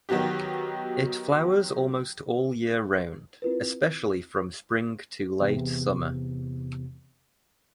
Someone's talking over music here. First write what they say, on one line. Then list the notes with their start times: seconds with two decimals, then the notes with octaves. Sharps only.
It flowers almost all year round, especially from spring to late summer.
0.09 D#3 F#3 B3 F#4 G4
3.42 C4 E4 F4 A#4 B4
5.40 E2 C3